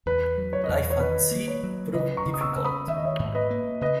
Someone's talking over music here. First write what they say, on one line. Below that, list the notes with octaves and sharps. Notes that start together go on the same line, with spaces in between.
Life at sea proved difficult.
E2 B4
F#3
C#5
E2 D#5
C#5
C#5
D#3 B4
A#3
C#5
F#3
C#3 B4 D#5
A#5 C#6
C#3
D#6
C#6 E6
C#3 E6
B5 D#6
D#3 E5
D#5
C#5 E5
G#2
B4 D#5
A#3
C#3 B4 D#5